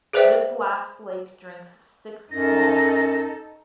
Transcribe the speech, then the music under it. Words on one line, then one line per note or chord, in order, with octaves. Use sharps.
This last lake drinks six small streams.
G#4 B4 C5 D5 E5 G5
F#2 D#4 A4 A#6